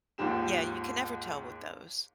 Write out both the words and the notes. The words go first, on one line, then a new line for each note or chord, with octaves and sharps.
yeah, you can never tell with those,
D#2 G#2 F3 G4 E7